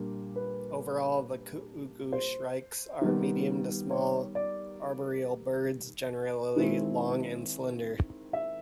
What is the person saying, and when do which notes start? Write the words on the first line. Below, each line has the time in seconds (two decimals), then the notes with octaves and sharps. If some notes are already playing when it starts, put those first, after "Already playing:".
Overall the cuckooshrikes are medium to small arboreal birds, generally long and slender.
Already playing: A#2 G3 A#3 D4
0.36 B4
2.12 C5
3.01 D#3 G3 B3 D#4
3.91 C#5
4.35 D5
6.56 D#3 G#3 C4 E4
8.33 E5